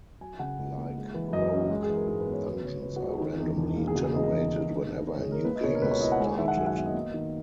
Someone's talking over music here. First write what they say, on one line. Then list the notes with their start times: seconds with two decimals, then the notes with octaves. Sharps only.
Like "Rogue", dungeons are randomly generated whenever a new game is started.
0.21 F#3 G#5
0.39 C#3 F#5
0.58 C#2
0.77 A#3
0.95 G#3
1.14 E3
1.33 F#2 D#5
1.52 C#4
1.70 G#3 F#4
1.83 G#4
1.89 E3
1.95 A#4
2.08 G#2 G#4
2.20 B4
2.27 B3
2.32 C#5
2.45 F#3 B4
2.64 C#3 C#5
2.82 C#2 B4
2.96 F#4
3.02 C#2
3.08 G#4
3.20 D#3
3.39 E2
3.58 E1
3.76 A#3
3.88 G#4
3.96 C#3 F#4
4.04 G#4
4.13 E2 D#5
4.23 D#5
4.33 E1
4.51 E1
4.70 D#3
4.89 D#2
5.07 E1 C#5
5.19 G#4
5.26 G#3
5.32 A#4
5.45 A#3 B4
5.56 D#5
5.64 B2 C#5
5.75 A#4
5.82 C#2 B4
5.91 C#5
6.00 E4 D#5
6.12 F#5
6.19 G#3 G#5
6.38 D#3 E5
6.48 F#5
6.57 F#2 G#5
6.66 F#5
6.76 B3 E5
6.86 D#5
6.94 A#3
7.14 D#3